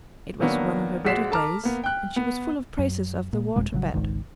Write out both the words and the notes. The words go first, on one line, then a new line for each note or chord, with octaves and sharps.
It was one of her better days, and she was full of praises of the water-bed.
D#3 F#3 A#3 B3 D4
A#1 G#3 F#4 B6 C7 E7
A4 A5 A#5 D6 F6
A#3 B3
G5 F#6
B3
F#2
A#2
F#1 F2 B2 G#3
A1 C#3 E3 F#3
G#1 C#2 G#2 D#3